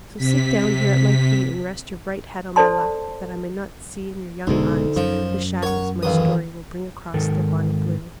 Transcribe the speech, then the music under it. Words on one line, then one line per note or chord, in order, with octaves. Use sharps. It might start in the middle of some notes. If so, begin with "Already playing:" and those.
So sit down here at my feet and rest your bright head on my lap, that I may not see in your young eyes the shadows my story will bring across their bonny blue.
C3 B6
A4 C5 D5 A5 C6
F1 D2 B2 G#3 D#4 A4
F#2 F3
A#4 C#5 F#5 C#6
A1 D#2 B4 F5 D#6
G#2 D#3 A4 A#4